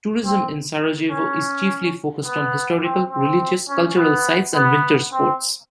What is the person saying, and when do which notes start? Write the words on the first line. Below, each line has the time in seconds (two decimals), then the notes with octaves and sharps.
Tourism in Sarajevo is chiefly focused on historical, religious, cultural sites and winter sports.
0.25 C4
1.10 C#4
2.26 B3
2.83 C4
3.11 C4
3.69 C#4
3.97 B3
4.55 B3
5.12 C4